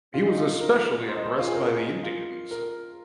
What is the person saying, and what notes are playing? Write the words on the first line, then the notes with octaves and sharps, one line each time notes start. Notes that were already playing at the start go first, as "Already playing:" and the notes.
He was especially impressed by the Indians.
F4
D#4
F4
A#4
C5
D#5
C5
F4
G#4
A#4
F4
A#4